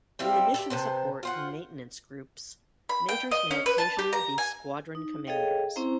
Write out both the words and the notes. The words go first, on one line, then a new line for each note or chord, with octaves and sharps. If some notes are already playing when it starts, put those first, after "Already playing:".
In the mission support and maintenance groups majors may occasionally be squadron commanders.
G3 C4 E4 F4
G4 A4
C3 B4 C5 A5
F4 C5 F#5
B5
G5
D#5
C#4
B4
A5
G4
A#5
G#5
D#4
G#4 A4 C#5 D#5 F5 G5
C4 C#4 E4 C5 A#5